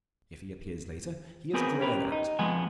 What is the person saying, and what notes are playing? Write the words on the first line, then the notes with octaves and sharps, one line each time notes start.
If he appears later, he is glared at.
B3 C4 G#4 A#4 B4
C#4 G4 A#4 B4
D#4
F2 F3 G#3 B3 G#5